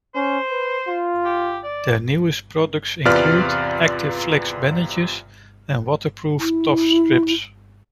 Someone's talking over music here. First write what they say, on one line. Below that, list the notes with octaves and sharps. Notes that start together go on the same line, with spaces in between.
Their newest products include Active Flex bandages and waterproof Tough Strips.
C#4 C5
B4
F4
G4
D5
E2 C3 F4 B4 D5 F6
E4